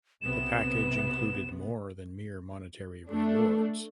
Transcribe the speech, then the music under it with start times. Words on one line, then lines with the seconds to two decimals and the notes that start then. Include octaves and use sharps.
The package included more than mere monetary rewards.
0.22 B1 C3 B3 E7
3.10 A3 D4